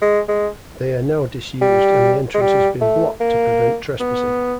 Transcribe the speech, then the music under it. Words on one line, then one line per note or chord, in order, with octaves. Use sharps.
They are now disused and the entrance has been blocked to prevent trespassing.
G#3
G#3
G3
G#3
G3
A3
A#3
B3